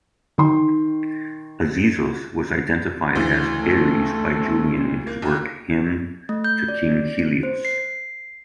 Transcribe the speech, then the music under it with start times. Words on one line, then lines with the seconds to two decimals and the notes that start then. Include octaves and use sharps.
Azizos was identified as Ares by Julian in his work 'Hymn to King Helios'.
0.38 D#3 C6
3.15 D2 C#3 E3
3.57 A3
5.07 A#3
5.22 D#2
6.29 A3
6.44 G6
6.68 D5
7.43 C5
7.65 C7